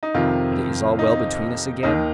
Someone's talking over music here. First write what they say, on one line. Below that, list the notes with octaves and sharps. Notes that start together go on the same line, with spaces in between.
"But it is all well between us again?"
D#4
F2 C3 D#3 F4
D#4
D#2 D#3 D#4